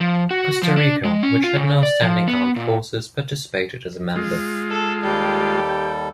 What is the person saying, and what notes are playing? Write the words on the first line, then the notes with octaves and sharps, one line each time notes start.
Costa Rica, which had no standing armed forces, participated as a member.
F3
F#4
F3
D4
G#3
C#4
F4
C#3
D5
F3
B3
A#2
G#3 F4
A4
D#2 G3 G4 A4
G5